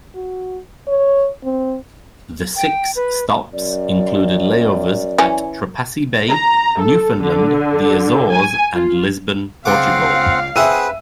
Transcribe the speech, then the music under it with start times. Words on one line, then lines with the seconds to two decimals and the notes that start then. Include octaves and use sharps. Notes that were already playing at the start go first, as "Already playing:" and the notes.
The six stops included layovers at Trepassey Bay, Newfoundland, the Azores, and Lisbon, Portugal.
0.15 F#4
0.88 C#5
1.44 C4
2.56 G5
2.96 B4
3.52 F#2 D5
5.18 E3 C#4
6.30 A#5
6.80 A4
7.23 D3
8.32 G#5
8.74 F4
9.65 C#2 C4 D4 F5 F#5 D6
10.56 C4 G#4 B4 E5 F#5 E6 D#7